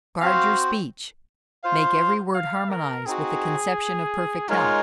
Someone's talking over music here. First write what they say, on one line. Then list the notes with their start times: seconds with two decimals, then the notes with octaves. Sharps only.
Guard your speech; make every word harmonize with the conception of perfect health.
0.21 C4 F#4 C5 F5
1.63 F4 C5 F5
2.35 F5
2.70 A#4
3.06 C4 D#4 F#4 G#4
4.49 G#3 D#4 F4 A#4 C#5